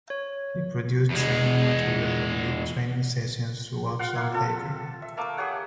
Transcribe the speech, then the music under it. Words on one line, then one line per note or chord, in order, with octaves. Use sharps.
He produced training materials and lead training sessions throughout South Africa.
C#5
E2 G#3
F4 F5 F#5
A#3 E4
C4 F4 A4
E5
A3 A#3 D6 E6
G4 G#4 C#5 F#5